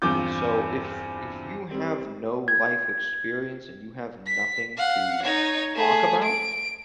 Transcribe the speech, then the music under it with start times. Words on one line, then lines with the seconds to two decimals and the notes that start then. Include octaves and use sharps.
and so, if if you have no life experience and you have nothing to talk about,
0.02 E2 G2 C4 F4 D6 G6
1.71 G3 C4
2.48 G#6
4.27 B6
4.77 F5 F#5
5.23 D#4 C#5
5.75 A3 G#4
6.24 D7